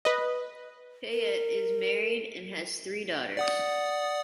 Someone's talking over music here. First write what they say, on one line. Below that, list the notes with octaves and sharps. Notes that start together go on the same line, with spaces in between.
Paet is married and has three daughters.
B4 D#5
A#4
D5 F#5 D#6